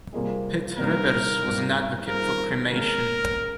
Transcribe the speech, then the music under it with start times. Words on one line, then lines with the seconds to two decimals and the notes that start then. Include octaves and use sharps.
Pitt Rivers was an advocate for cremation.
0.13 C3 G3 A#3 F4 G#4
0.77 C3 G3 A#3 D#4 A#4
1.42 G#2 G3 A#3 F4
2.07 D#3 G3 C4 F4 G#4 A#4
2.72 C#3 G#3 C#4 A#4